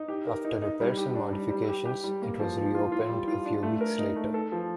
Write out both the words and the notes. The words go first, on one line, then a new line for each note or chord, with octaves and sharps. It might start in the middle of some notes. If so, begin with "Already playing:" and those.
After repairs and modifications, it was reopened a few weeks later.
Already playing: D#4
G4
A#4
D#4
D#4
G3
G4
D4
G3
G3
G4
G4
G3
A#3
F3
F3
F4
F4
G3
F4
D4
A3
A#4
D#4
A3
A4
F3